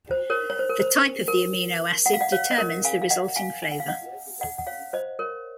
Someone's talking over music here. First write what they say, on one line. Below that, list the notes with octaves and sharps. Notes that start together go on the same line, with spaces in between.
The type of the amino acid determines the resulting flavor.
C5
A#4 C#5
C#5
C5
A#4
C5
A#4
F#5
F5
D#5 F#5
C#5 F5
D#5
A#4 C#5
F5 G#5
F5
D#5 F#5
F5 G#5
G#5
F#5
F5
D#5 F#5
D#5 F#5
F#5
C#5 F5
C5 D#5
A#4 C#5